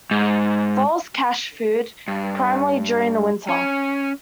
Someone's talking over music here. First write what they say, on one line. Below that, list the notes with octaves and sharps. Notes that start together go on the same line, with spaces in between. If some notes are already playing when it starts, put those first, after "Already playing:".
Voles cache food, primarily during the winter.
G#2
G2
C#4